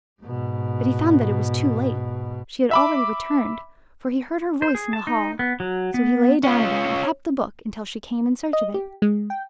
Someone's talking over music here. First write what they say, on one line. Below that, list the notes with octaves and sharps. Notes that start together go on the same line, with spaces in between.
But he found that it was too late; she had already returned, for he heard her voice in the hall; so he lay down again, and kept the book until she came in search of it.
G#2 B2
E5 B5 D6
C5
G#4
A5
D#4
B3
F#3
B3
C#4 F4
D#5
G4
G#3
G5